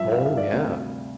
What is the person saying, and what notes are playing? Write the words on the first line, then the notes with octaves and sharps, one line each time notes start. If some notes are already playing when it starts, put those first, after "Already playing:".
Oh, yeah.
Already playing: G2 F3 E5
F5
E5
D5
D2 C3 G3 F5